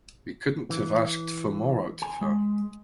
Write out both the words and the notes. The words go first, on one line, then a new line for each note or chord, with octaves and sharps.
We couldn’t have asked for more out of her.
E3
G#5
G#3